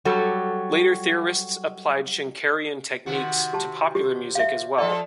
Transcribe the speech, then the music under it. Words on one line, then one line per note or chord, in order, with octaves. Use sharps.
Later theorists applied Schenkerian techniques to popular music as well.
F#3 G3 F#4 A4
C3 D#3 F#4
G4 A5
G4
E5 F5
F3 A4 D5 A5